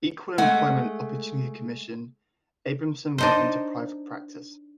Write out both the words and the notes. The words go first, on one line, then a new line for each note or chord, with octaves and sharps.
Equal Employment Opportunity Commission, Abramson went into private practice.
G#3 A3 F#5
D4 D#4 C5